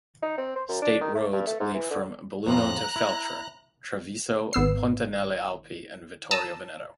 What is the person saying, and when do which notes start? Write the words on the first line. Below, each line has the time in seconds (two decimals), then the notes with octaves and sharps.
State roads lead from Belluno to Feltre, Treviso, Ponte nelle Alpi and Vittorio Veneto.
0.22 D#4
0.38 C4
0.56 C5
0.69 F#2
0.82 D4
1.01 D#3
1.15 A3
1.33 G2
1.47 A3
1.60 G#2
1.74 E3
1.91 D3
2.46 F2 A2 F4 A#5 F#6
2.96 E4
4.53 G#1 B3 E6 C7
6.31 A5 A#5 D#6 E6